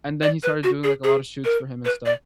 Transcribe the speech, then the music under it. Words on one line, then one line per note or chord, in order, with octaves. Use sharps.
and then he started doing, like, a lot of shoots for him and stuff,
D5
B4
F#4
G#4
G#4
A#4
B4
D5